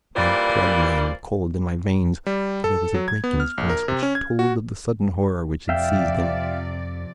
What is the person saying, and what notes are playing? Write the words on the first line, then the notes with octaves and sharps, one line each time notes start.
My blood ran cold in my veins, for there was a break in his voice which told of the sudden horror which had seized him.
A#2 E3 G3 A#3 C5 D5
G3
A4
F#3
G#6
B3
F6
A#1
A#4
C3
C#4
G#6
F#4
F2 C3 F3 D5 E5 F5 G5